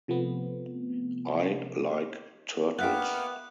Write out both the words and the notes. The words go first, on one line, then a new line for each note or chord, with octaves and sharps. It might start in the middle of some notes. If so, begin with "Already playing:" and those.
I like turtles.
C3 F3 A3 B3
A#3 B3 D5 E5 F#5 G5 F6 F#6